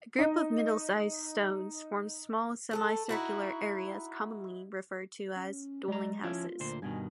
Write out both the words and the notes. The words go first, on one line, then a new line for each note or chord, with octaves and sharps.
A group of middle-sized stones form small, semi-circular areas commonly referred to as "dwelling-houses".
D#4 D#5
A3 G#4 A4
D#4 E4 F#4
C#4
G#3 D5 A#5
F3 C#4 E4 F4
D2 A#2 C5
G2 B2 D#3 G#5